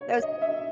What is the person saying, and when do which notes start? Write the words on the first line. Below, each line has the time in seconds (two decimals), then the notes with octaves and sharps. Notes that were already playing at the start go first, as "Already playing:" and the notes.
That the
0.01 C#5
0.22 D#5
0.42 E5